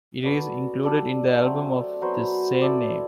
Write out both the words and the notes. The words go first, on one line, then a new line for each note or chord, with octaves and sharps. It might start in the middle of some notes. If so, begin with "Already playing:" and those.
It is included in the album of the same name.
B3 F#4 A4 D5
G3 D4 A4 D5
F#3 A3 C4
F#3 B3 F#4 C5
E4 A4 D5